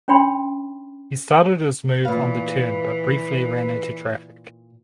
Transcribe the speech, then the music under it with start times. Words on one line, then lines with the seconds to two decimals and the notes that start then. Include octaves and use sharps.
He started his move on the turn but briefly ran into traffic.
0.08 C#4 D4 C#5 G5 B5 C6
2.05 A#2 E3 B4 F5